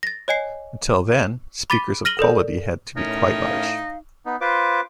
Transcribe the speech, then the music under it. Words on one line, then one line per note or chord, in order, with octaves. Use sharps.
Until then, speakers of quality had to be quite large.
A6 A#6
C#5 D#5 G#5 C7
B5 D6 A6 B6 D#7 G7
F6 A#6 D#7 F#7 G7
A4 A#4 D5
A2 C#4 D#4 A#4 C#5
F5
B3 D#4
F4 B4 C5 D6